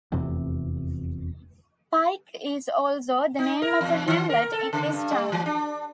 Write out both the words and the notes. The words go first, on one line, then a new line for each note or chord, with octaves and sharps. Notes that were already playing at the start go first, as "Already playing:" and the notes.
Pike is also the name of a hamlet in this town.
F1 E2 C3
D#4
A#4
E2
D#3
A#4
A4
C#3
G2
G3
E3
D4